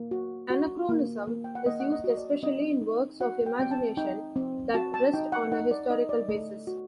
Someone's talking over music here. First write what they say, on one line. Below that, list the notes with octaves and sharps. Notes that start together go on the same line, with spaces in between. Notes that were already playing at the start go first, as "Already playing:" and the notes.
Anachronism is used especially in works of imagination that rest on a historical basis.
Already playing: A#3
F#4
F#4
A#3
A#3
G5
F#5
A#3 D#5
F#5
D#5
F#4
D#5
D5
C4 D#5
D#4
F#4 F#5
G5
C4 G5
A5
D#4 G5
C4
F#4 A5
A5
D#4 G5
F#5
D#4 F#5
D5
D#4 D#5
D5
A3 D#5
F#4